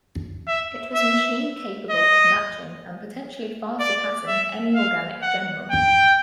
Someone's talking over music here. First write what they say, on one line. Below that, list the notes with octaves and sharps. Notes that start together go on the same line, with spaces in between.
It was a machine capable of matching and potentially far surpassing any organic general.
E5
E5
D#5
D5
E5
F5
F#5
G5